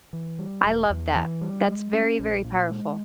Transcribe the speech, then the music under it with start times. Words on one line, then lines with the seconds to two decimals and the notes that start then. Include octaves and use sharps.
I love that. That's very, very powerful.
0.13 E3
0.39 G3
0.64 E1
0.90 E2
1.16 E3
1.41 G3
1.68 G#3
1.93 C#4
2.19 A#1
2.45 A#2
2.70 G#3